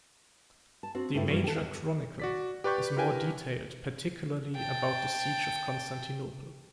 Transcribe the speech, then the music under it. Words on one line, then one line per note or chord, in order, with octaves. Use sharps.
The "Major Chronicle" is more detailed particularly about the siege of Constantinople.
A5
C4 D4 F#4
G2 A3 C4 E4
F#2 A#2 E3 F#3 G3
G4 A4
E2 F#5
F#4 D5 B6
G4 B4 D5 C#6 G6
E4 G4 A#4 B4 G5 G#5
G5 A5